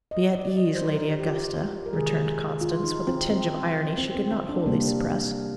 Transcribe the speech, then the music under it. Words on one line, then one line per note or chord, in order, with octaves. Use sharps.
"Be at ease, Lady Augusta," returned Constance, with a tinge of irony she could not wholly suppress.
D#5
D5
D#5
C5
A#4
G4
G4
F4
A#4
C3 D#3 G#3 G#4
F4
D#4
C4
C4
C4
C4
C4
D4
C3 G3 A#3